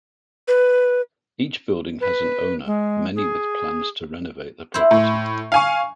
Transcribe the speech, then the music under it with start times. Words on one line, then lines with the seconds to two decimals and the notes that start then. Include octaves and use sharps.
Each building has an owner, many with plans to renovate the property.
0.48 B4
2.01 B4
2.66 G#3
3.15 G#4
4.74 E4 C5
4.91 A2
5.52 F5 G#5 C#6